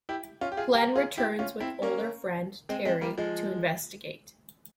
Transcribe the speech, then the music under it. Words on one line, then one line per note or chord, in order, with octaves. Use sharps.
Glen returns with older friend Terry to investigate.
E4 G4
C#4 F4
G4
F4 G#4
G4 A#4
F4 G#4
E4 G4
C#4 F4
C4 E4
A#3 C#4
G#3 C4
G#3 C4
G3 A#3
F3 G#3